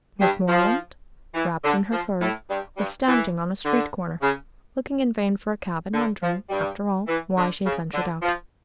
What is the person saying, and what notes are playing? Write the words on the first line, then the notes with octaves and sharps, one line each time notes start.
Miss Moreland, wrapped in her furs, was standing on a street corner, looking in vain for a cab, and wondering, after all, why she had ventured out.
G2 G3
F3
E3
D3
F3
A2 A3
G2 G3
G2 G3
E3
D3
C#3
D3
F3
G2 G3
E3
D3
C#3
D3
F3